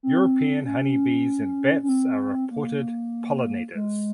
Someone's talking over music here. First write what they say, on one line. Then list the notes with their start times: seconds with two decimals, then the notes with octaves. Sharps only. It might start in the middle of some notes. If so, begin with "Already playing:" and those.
European honey bees and bats are reported pollinators.
0.03 C4
0.65 C#4
1.83 C#4
1.89 C4
2.51 A#3
3.75 G#3